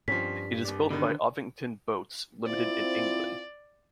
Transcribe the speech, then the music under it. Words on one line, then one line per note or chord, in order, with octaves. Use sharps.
It is built by Ovington Boats Limited in England.
G2 F3 C4 C#4 B6
C2 D5
B2 D3 D#3
C4 E4 F4 D5